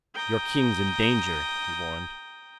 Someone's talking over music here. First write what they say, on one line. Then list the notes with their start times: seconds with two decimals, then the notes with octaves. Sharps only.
"Your king's in danger," he warned.
0.14 G5 A#5 D#6